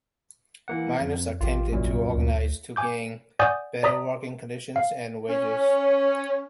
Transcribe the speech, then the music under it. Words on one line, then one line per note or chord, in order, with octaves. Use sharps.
Miners attempted to organize to gain better working conditions and wages.
E3 A#3 F#5
F2
A1 F4 G4
C2 F#2 A#2
D2
G#5 D6 G6
D5 F#5 G#5 C#6 D#6 G6
D5 A#5 D#6 B6
F5
C#4